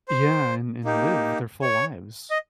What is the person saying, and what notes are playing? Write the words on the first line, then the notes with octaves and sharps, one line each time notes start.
Yeah, and and live their full lives.
C5
A#3 D#4 G4
C#5
D#5